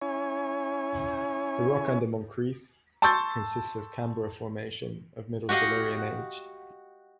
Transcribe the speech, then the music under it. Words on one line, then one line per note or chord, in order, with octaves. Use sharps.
The rock under Moncrieff consists of Canberra Formation of middle Silurian age.
C#4 E4 C#5 G#5
A5 C6 C#6 E6 G6 A6
F#4 G4 D#5 F5 F#5